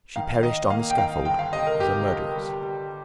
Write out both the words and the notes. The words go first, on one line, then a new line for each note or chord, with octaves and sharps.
She perished on the scaffold as a murderess!
D#3 F5
F5
D#3 D#5
A#3 F5
G5
D#3 F5
G1 G5
F5
C3 D#5
A#4
C3 G4
G1
G3
G3